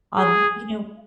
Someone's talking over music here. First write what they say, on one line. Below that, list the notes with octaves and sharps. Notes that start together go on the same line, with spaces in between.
Um, you know
G#4